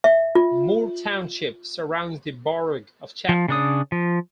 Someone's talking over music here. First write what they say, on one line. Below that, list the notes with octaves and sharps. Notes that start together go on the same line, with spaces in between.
Moore Township surrounds the borough of Chapman.
E5
F4
F3
C#3 D4 D#6
F3